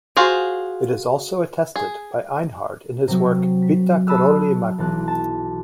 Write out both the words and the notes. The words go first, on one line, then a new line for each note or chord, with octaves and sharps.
It is also attested by Einhard in his work, Vita Karoli Magni.
F4 F#4 G#4 C5
G#4
C3 F#3
B6
A5 B5 D#6 E6 F#6
B1 E3 A5 F#6
A5